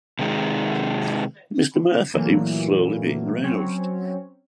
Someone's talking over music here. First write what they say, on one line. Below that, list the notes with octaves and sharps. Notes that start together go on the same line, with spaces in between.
Mr. Murphy was slowly being roused.
C3 D#3 G#3
A#2 E3 F#3 A3 A#3
F#3 C4 C#4 C#5